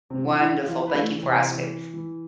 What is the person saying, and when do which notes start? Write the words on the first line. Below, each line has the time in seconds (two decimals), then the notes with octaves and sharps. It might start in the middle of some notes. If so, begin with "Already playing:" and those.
Wonderful, thank you for asking.
0.10 C3 C4
0.24 E3
0.38 E3 E4
0.67 E3 F3 F4
0.87 B4
0.94 A3 A4
1.09 E3
1.23 C3 C4
1.51 E3
1.94 E3